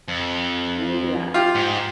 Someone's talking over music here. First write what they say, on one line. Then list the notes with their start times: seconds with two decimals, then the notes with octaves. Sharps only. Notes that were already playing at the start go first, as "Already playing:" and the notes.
I don't even do that.
0.08 F2
1.34 F4 G4
1.55 G#2